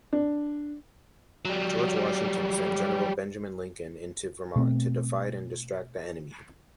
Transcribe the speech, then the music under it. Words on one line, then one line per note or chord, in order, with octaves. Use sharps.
George Washington sent General Benjamin Lincoln into Vermont to "divide and distract the enemy".
D4
F#3 G3
B2 A3 C4